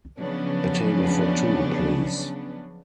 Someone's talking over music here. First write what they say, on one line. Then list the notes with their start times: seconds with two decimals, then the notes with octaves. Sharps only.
A table for two, please.
0.18 C#3 F3 F#3 B3 C#4 D4